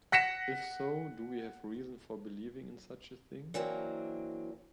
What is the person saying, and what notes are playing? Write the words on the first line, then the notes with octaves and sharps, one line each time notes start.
If so, do we have reason for believing in such a thing?
F#5 A#6 B6 C#7 E7
E3 F#3 A#3 C4 D4